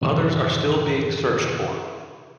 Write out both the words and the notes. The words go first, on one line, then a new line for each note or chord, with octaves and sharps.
Others are still being searched for.
F#2 A2 C3 D#3 E3